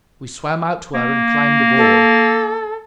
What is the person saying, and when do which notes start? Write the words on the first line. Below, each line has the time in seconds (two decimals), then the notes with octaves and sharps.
We swam out to her and climbed aboard.
0.94 A#3
1.77 A4